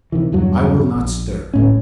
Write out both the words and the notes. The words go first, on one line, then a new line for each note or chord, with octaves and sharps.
I will not stir.
C3 D#3 E3
E2 G2 F#3
A#1
D1 A2 C#4